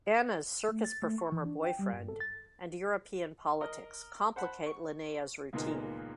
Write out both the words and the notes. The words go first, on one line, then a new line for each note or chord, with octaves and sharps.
Anna's circus-performer boyfriend and European politics complicate Linnea's routine.
A3
A6
A3
C#6
E3
D4
G5
G3
G2
A4
A6
A#4 D#5
C5 F#5 A5 B5
C#6
C#2 A#2 D#3 G#3 A#3 B3